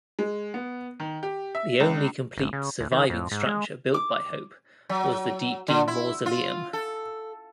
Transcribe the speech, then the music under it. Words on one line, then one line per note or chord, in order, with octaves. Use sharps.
The only complete surviving structure built by Hope was the Deepdene mausoleum.
G#3
B3
D#3
G4
E5
C#2
G#1
C#3
D2
D#3
F2
G#2
G#3
D6
F#3
D3
E4
F4
A4